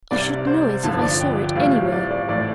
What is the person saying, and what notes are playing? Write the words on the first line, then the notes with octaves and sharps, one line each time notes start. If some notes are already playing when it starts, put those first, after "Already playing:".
I should know it if I saw it anywhere.
C2 C3 G3 D5
C5
G1 G2 D3 F3 A5
D5
G5
A1 A2 G3 C4 F5
D5
D5
A1 A2 A3 D5